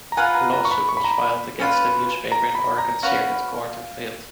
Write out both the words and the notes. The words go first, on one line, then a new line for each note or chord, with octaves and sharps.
A lawsuit was filed against the newspaper in Oregon Circuit Court and failed.
A#5
F4 B4 F#5 G#5
A#5
A#5
C#6
B5
C#6
B5
A#5
B5
C#4 F4 B4
A#5
B5
A#5
C#4 F#4 B4 F5